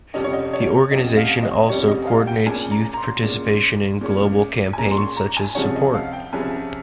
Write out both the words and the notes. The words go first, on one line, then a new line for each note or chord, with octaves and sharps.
The organization also coordinates youth participation in global campaigns such as Support.
F2 C3 G3 C#4 D#5
C#5
D#5
C#5
F2 C3 G3 C#4 D#5
F5
D#5
F2 C3 G3 C#4 C#5
D#5
F5
G5
A#2 G#3 C#4 G#5
A#5
A#5
C6
A#2 G#3 C#4
A#2 G#3 C#4
G#5
A#2 G#3 C#4 A#5
C6
C#6
A#5
G#5
C2 C3 F3 G#3 C#4 C#5
D#5
F5
G5
C2 C3 F3 G#3 C#4 G#5